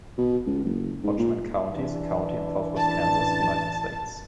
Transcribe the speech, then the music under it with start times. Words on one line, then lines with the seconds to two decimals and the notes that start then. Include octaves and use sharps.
Hodgman County is a county in Southwest Kansas, United States.
0.18 B2
0.46 C#2
0.64 F#1
1.03 G#2
1.18 A#2
1.72 E3 D4
2.75 A1 A5 A6